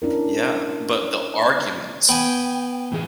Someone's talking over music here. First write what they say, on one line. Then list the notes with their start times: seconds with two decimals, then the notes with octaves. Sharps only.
Yeah, but the arguments
0.02 C#4 D4 E4 A#4
2.09 B3 G5 G#5
2.92 A2 E3 G#4